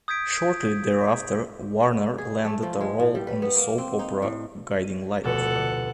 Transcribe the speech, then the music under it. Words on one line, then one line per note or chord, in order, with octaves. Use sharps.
Shortly thereafter, Warner landed a role on the soap opera "Guiding Light".
D#6 G6 G#6 B6 D7
G#4
A3
F3
G#3
A2
G3
B4
B3
A#3
C4
D#4
A2
D#7
F1 D2 B2 A4 F#5
D3